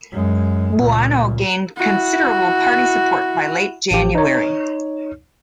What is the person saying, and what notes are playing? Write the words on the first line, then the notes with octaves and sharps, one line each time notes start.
Buono gained considerable party support by late January.
F#2 G#3
C#2 A#2
E4 F#4
A1 G4
D#4 C#5